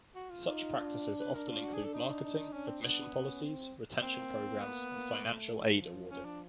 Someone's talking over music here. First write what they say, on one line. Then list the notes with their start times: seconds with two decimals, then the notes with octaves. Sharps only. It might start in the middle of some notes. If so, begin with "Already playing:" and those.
Such practices often include marketing, admission policies, retention programs, and financial aid awarding.
0.16 F#4
0.30 F4
0.45 D#4
0.75 D4
1.20 B4
1.34 D4 A#4
1.49 F4
1.64 F#4
1.74 G#4
1.84 A4
1.94 D#4
2.24 D4
2.53 C#4 D4
2.68 C4
2.83 B3 D4
3.13 C#4
3.43 C4
4.02 A#3 C4
4.61 B3
4.91 A#3
5.21 A3
5.80 F3
6.10 C#4
6.25 D4